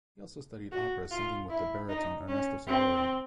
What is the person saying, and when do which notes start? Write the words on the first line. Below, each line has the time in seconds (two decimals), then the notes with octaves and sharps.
He also studied opera singing with the baritone Ernesto Sivori.
0.72 F#4
1.11 F4
1.50 E4
1.89 D#4
2.28 C#4
2.68 C4